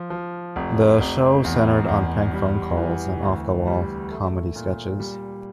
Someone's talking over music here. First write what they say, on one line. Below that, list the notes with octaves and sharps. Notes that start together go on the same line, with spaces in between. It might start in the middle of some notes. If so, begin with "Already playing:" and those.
The show centered on prank phone calls and off-the-wall comedy sketches.
Already playing: F3
F3
F1
F1
E2
E2
G3
E3
D2
G3
A3
A#2
G3